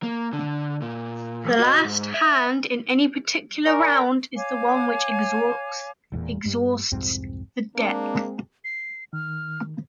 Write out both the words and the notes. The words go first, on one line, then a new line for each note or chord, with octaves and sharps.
The last hand in any particular round is the one which exhausts the deck.
A#3
D3
A#2
F#4 D#5
G#2
E5
A#4 D5 G#5 C#6
C#5 F5 G#5 D6
E1 E2 A#2
G2
C2 F2 G#2 C4
G#3 A#3 C4 D4
C7
D#3 F6